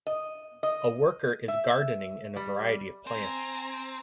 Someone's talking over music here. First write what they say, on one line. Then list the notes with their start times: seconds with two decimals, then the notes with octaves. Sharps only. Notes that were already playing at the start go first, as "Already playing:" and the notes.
A worker is gardening in a variety of plants.
0.07 D#5
0.63 D#5
1.48 E5
2.36 G3
3.07 C4 G#5 A#5